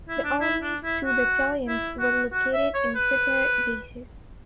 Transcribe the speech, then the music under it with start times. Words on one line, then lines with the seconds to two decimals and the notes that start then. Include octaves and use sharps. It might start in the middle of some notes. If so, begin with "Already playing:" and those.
The army's two battalions were located in separate bases.
0.09 E4
0.24 D4
0.41 E4
0.62 D4
0.83 E4
1.05 F#4
1.68 E4
1.99 F#4
2.33 F#4
2.53 E5
2.74 C#5
2.96 B4